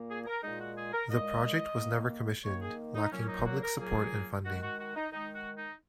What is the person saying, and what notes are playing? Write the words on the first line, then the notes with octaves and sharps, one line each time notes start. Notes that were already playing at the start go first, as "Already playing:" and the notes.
The project was never commissioned, lacking public support and funding.
Already playing: A#2 A#3
G#4
G#4
A#4
A#2 G#3 D#4
F#4
G#4
A#4
A#2 G#3 D#5
D#3 A#3
D#3 A#3 C#5
G#4
D#4
A#2 F#3 A#3 C#4
D#4
F#4
A#4
A#2 F#3 A#3 G#4
D#3 G#3 F#4
F#4
F#4
D#4
D#3 G#3 D#4
F#4
D#4